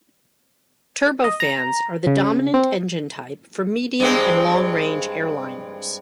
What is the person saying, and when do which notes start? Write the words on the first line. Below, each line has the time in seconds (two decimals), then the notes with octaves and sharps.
Turbofans are the dominant engine type for medium and long-range airliners.
1.24 D#5
1.40 A#5
2.07 C#3
2.54 C4
4.00 G2 G#3 C4